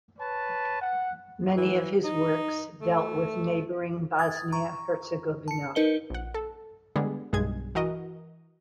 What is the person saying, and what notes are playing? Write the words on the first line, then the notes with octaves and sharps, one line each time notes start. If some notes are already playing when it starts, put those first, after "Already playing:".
Many of his works dealt with neighbouring Bosnia-Herzegovina.
B4 C#5 A5
F#5
E3
D#4
A3
D#6 G#6 A6
A#5 C#6
A5 C#7
D#4 A#4 B4 D#5 C#7 G7
A#1 F#5
A4
D3 G3 G#3 B3 G#4
B1 G2 G#3 G#4 G#6
E3 F#4 A#4 D#5